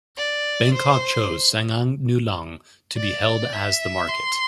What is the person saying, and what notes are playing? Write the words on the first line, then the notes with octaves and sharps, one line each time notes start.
Bangkok chose Sanam Luang to be held as the market.
D5
C5
D5
E5
C6